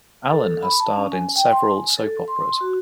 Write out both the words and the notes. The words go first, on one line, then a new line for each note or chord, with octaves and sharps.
Allan has starred in several soap operas.
A4
B5
A5
C#4
G#5
G5
C6
G#5
A4
C6
F#4